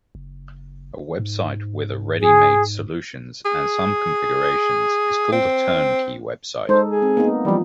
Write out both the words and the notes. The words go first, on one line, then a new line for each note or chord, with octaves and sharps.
A website with a ready-made solutions and some configurations is called a turnkey website.
F#1
G#2
G#4
G#4
C4
G#3 D#4 A4 C5
G#4
C4
A#3 B3 D#4
E3 F3 G3